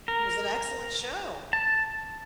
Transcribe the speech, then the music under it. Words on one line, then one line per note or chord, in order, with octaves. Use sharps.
He's an excellent show.
A#4
A5